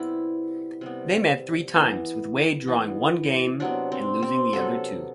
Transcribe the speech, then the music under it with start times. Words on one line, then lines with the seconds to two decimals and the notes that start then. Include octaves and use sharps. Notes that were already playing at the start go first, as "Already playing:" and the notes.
They met three times, with Wade drawing one game and losing the other two.
Already playing: C3 G3 B3 E4
0.81 C3 G3 B3
1.74 E3 B3
2.67 E3 B3
3.60 C3 F#3 B3 D4
3.92 C4
4.23 C4
4.53 C3 F#3 B3 A4